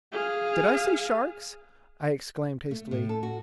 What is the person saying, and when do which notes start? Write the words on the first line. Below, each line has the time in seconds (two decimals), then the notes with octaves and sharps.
"Did I say sharks?" I exclaimed hastily.
0.12 G#4 F5
2.71 A3
2.91 A2
3.09 A4
3.23 F#4